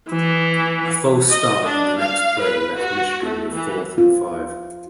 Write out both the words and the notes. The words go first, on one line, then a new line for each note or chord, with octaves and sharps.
A false start on the next play left Michigan with fourth and five.
E3
D#5
D4
F5
B4
F#4
A3
E3
F4